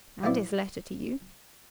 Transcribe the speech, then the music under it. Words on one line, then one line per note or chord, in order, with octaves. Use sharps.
"And his letter to you."
A#1 F#3 B3 E4 D5